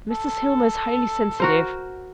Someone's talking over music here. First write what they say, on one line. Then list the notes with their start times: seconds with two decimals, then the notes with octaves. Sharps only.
Mrs. Hillmer is highly sensitive.
0.11 A4
1.40 F#4 A#4 C5